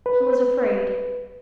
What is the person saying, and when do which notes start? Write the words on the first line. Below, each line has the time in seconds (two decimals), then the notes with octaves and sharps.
He was afraid!
0.06 B4